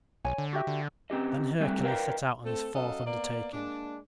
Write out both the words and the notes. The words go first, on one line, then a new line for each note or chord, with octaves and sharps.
Then Hercules set out on his fourth undertaking.
B1 C#5 G#5
D3
F#4 G4 E5
D3
C4 C#4 G4 D#5
G3 A3 C4 F#4 E5
A#4 B4 D5 D#5 F5 G5
A3 C4 A4
F#3 C#4 A4 D#5 F5
A#3 B3 D5
G#3 A#3 D4